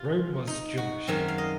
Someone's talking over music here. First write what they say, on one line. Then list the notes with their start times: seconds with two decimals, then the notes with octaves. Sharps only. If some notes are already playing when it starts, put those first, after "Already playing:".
Rome was Jewish.
Already playing: C3 F4
0.47 D#4
0.77 F#4
1.07 F#2 D#3 G#3 C4
1.28 F5
1.38 D#5